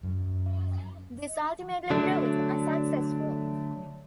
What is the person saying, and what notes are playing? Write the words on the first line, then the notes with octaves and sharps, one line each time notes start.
This ultimately proved unsuccessful.
F#2
D3 F#3 A3 D4